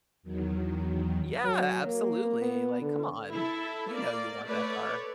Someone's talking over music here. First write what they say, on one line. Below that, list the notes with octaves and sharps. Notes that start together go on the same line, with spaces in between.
Yeah. Absolutely. Like, come on. You know you want that car.
E2 D#3 F#3
F#3
A#3
B3
D3
E4 A4
A#3 D5
A3 B4 C#5 D5